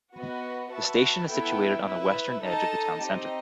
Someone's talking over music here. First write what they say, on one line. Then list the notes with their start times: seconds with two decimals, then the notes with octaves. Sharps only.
The station is situated on the western edge of the town centre.
0.14 B3 F#4 B4 D#5
0.71 F#4 B4 E5 A5
1.29 B3 E4 A4 E5 G5
1.85 E4 B4 E5
2.42 D#4 A4 D#5 A5
2.99 C4 D#4 G4 D#5